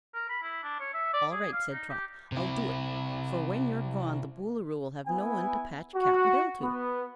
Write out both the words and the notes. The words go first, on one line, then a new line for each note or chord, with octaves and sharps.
"All right," said Trot; "I'll do it; for when you're gone the Boolooroo will have no one to patch Cap'n Bill to."
A#4
B5
E4
D4
C#5
E5
D5
G#4
F5
D#4
G4
C3 E4
B3 E4 G#5
F#4
B3